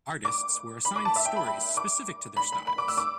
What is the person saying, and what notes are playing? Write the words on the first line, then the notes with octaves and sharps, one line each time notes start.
Artists were assigned stories specific to their styles.
D6
B5
D6
A5
E5
G5
B5
B5
D6
B5
B5
B5
D6
E6
D6